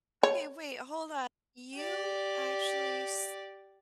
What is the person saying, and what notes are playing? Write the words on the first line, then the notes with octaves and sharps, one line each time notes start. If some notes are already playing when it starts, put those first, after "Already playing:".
Okay, wait, hold on. You actually s
C#5
G4 D5